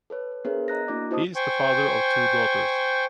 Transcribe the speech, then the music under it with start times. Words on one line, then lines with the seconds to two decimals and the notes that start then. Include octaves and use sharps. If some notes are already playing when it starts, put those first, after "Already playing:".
He is the father of two daughters.
0.10 A4 B4 C#5
0.32 B4
0.45 B3 D4 G#4 A#4 C5 C#5
0.68 D#5 A#5 F#6 A#6
0.88 A#3 D4 E4 F#4 D5 D6
1.11 E4 F#4 C5 D#5 A5 D#6
1.35 C5 G5 G#5 C#6